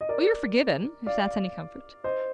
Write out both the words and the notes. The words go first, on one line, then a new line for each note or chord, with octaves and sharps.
"Oh, you're forgiven--if that's any comfort."
D#5
A#4 D5
D5 F5
C5 D#5